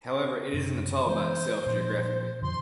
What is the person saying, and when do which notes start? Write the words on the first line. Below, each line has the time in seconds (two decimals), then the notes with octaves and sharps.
However it is an atoll by itself geographically.
0.53 F#2 C3
1.06 E3 G#3 B3 C5
1.66 A#2 F3
2.42 F2 D3 F3 C6